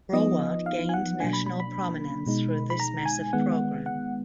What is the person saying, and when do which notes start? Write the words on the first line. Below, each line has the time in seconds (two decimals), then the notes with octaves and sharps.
Broward gained national prominence through this massive program.
0.13 F3 B3 D#4 D#5
0.66 F5
0.89 G#5
0.94 F#5
1.20 B2 F#3 A#3 D4 G#5
1.33 B5
1.46 B5
1.60 B5
2.26 B2 G#3 D#4
2.70 B5
2.80 A#5
3.05 G#5
3.33 D#3 G#3 B3 F#5
3.86 F#5